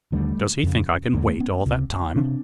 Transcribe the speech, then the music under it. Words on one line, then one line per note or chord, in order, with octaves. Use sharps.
"Does he think I can wait all that time?"
D#2 D3 G3 A3
F2 C#3
D#2 D3 G#3 A#3
A3 B3
B3 C#4
C#2 C3
C3 C4 D4